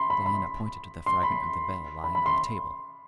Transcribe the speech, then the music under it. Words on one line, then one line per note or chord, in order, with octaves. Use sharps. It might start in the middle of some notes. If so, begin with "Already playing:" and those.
Diana pointed to the fragment of the veil lying on the table.
Already playing: B5 C6
B5
B5
C6
B5
B5
B5
C6